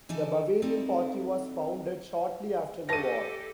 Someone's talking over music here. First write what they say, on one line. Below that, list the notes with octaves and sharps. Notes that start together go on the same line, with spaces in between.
The Bavarian Party was founded shortly after the war.
E3 D#4 E4 A4
C4 D#4 E4 A4 D5
F#3 G4 A4 F5 A5 A#6 D#7